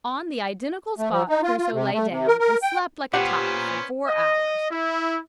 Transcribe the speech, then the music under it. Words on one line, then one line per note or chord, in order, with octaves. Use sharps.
On the identical spot Crusoe lay down and slept like a top for four hours.
A3
F3
D#4
F4
F4
C3
A3
C3
A#4
A#4
G5
A#2 B3 C#4 G4 C5 F#5
D#5
E4